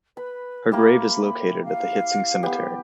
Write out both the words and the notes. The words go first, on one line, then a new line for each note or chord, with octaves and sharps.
Her grave is located at the Hietzing Cemetery.
B4 B5
A#3 E4 G4 B5
F5
B3 G4